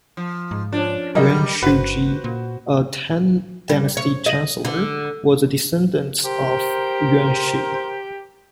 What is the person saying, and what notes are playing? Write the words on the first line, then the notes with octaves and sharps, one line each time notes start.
Yuan Shuji, a Tang dynasty chancellor, was a descendant of Yuan Xi.
F3
G#2
F3 C#4 D4
F#3 G3 A#4 D#5
G1 F#4 B4 C5
A#2
G3
C#5
D#5
D3
G4 A#4 C5